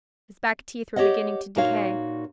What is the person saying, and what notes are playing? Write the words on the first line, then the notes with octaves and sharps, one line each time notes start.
His back teeth were beginning to decay.
G4 A4 C#5 D#5 F#5
A#2 D#4 F#4 A#4 C#5 F5